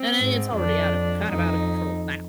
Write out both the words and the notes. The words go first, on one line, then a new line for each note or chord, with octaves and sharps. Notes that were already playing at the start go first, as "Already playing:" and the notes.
and then it's already out of kind of out of control now.
Already playing: C4
G#2
F2 D4
F2 D#4